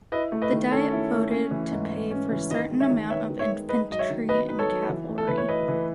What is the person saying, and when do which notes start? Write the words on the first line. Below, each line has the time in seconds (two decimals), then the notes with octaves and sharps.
The Diet voted to pay for certain amount of infantry and cavalry.
0.12 E4 B4 D#5
0.32 A3
0.42 B4 D#5
0.52 D#3
0.71 C#4 A4 C#5
0.92 E4
1.12 A3
1.31 C#4
1.51 E3
1.71 G#2
1.90 A3
2.11 C#4
2.31 E3
2.50 D#3 B4 D#5
2.70 G#3
2.80 C#5 E5
2.90 D#3
3.10 B3 C#5 E5
3.30 D#3
3.39 C#5 E5
3.50 G#3
3.69 D#4 B4 D#5
3.90 F#3 D#5
3.99 C#5 E5
4.10 D#3
4.29 B3 B4 D#5
4.49 D#4 B4
4.59 A4 C#5
4.69 F#3
4.89 E3
5.09 A3
5.18 A4
5.28 E3 B4
5.38 C#5
5.49 E4 B4 D#5
5.68 E3